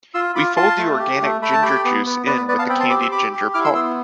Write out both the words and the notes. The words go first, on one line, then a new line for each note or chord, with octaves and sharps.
We fold the organic ginger juice in with the candied ginger pulp.
F4 C6 E6
F4 B5 D6
F4 A5 C6
A3
G4
A3
A3 B5
A5
G4 G5 B5
B3
B3
B3 B4 D5
B4
B3 B4 D5
F5 A5
C4 G5 B5
A5 C6
G4 B5 D6
C6 E6
G4 B5 D6
G4
E4 D6 F6
C6 E6
B3 C6 E6